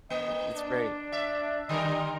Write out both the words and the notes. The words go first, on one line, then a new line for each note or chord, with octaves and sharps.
it it's great.
A#3 D#5
D4
E5
D3 G3 A#4 D#5